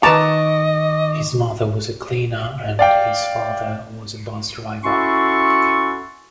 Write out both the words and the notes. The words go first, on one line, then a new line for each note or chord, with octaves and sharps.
His mother was a cleaner and his father was a bus driver.
D#3 B4 D#5 A5 A#5 C#6 D6
D5 F5 G5
C#4 E4 F#4 A4 C6 C#6